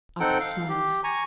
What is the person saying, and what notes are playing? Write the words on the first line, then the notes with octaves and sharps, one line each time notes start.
Athos smiled.
C4 D#4 A4 F#5 G5
F5
G4
G#5 A#5 C#6